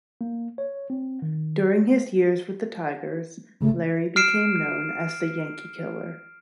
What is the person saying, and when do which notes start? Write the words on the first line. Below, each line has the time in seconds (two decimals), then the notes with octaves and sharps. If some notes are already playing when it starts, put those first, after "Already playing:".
During his years with the Tigers, Lary became known as The Yankee Killer.
0.21 A#3
0.58 C#5
0.90 C4
1.22 D#3
3.61 G1 C#3 A3
4.16 F6 C7 D7 E7